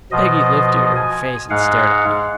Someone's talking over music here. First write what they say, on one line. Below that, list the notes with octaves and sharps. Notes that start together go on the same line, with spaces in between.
Peggy lifted her face and stared at me.
B2 F3 D#5
G#5
G#2 G#3 F5 F#5